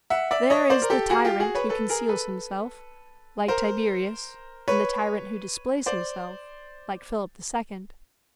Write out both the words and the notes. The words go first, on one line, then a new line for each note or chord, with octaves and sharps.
There is the tyrant who conceals himself, like Tiberius; and the tyrant who displays himself, like Philip II.
E5 F#5
D5 E5
C#5 D#5
C5 D5
A#4
G4 A4
F#4 G#4
F4 G4
F#4 G#4
B4 C#5
A4 B4
G#4 A#4
A4 B4
A#4 C5
B4 C#5
C5 D5